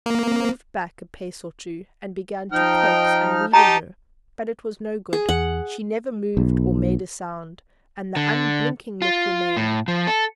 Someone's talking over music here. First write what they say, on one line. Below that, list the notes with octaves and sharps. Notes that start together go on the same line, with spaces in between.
We moved back a pace or two and began to coax and wheedle her; but it was no good; she never moved or made a sound, and the unblinking look remained.
A#3
F3 D#4 G5 F6
D#4 G4 A5 A#5
G#4
E2 F#5
B1
D3
F4
A2
F3
A4